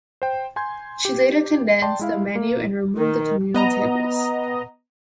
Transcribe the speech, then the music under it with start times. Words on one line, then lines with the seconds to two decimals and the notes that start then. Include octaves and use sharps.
She later condensed the menu and removed the communal tables.
0.22 C5 G5
0.56 G#5 C6 G6 G#6
1.05 G4
1.82 D5 G5 A5 C6
1.99 G#3 E4 F5
2.35 A#3
2.98 D#3
3.54 B3 D#5 A#5